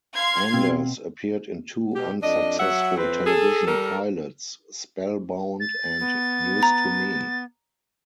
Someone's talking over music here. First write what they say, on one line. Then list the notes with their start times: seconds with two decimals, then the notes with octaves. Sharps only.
Anders appeared in two unsuccessful television pilots, "Spellbound" and "News To Me".
0.16 F5 C6 G#6
0.54 B2 C4
1.95 B2 G4
2.22 F2 D4 D#5
2.59 F#3 E5 F#5
2.97 F2 C4 B4
3.26 G#4 A4
3.67 G3 A4 A#4
5.60 A6
6.00 B3
6.63 A#5